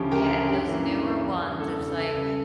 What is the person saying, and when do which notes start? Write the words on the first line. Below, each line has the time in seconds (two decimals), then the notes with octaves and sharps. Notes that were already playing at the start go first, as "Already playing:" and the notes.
Yeah, and those newer ones, it's like
Already playing: D2 C#3 F3 C#4 G4
0.11 D2 G4 A#4
0.30 C#3 F3 C#4
0.48 G2 G4
0.67 E3 A#3 C#4
0.86 G2
1.04 E3 A#3 C#4
1.23 E2
1.41 C#3 G3 D4
1.59 E2 A4
1.79 C#3 G3 D4
1.98 C#2 A4
2.16 C#3 G3